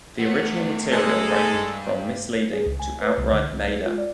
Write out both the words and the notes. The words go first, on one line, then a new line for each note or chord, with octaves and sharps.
The original material ranged from misleading to outright made up.
A3 B3
G#3 A4
G2
G#4
C#2
G#5
B4
C2
D3
C2
G#3
F4
D5